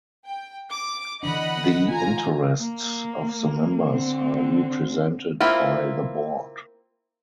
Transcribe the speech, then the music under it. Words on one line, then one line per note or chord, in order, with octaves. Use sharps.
The interests of the members are represented by the Board.
G5
D6
D3 E3 D4 D#5 F#5 B5
F4 G#5 A#5
A#3
D3 C4
A#3 C4 E4 F4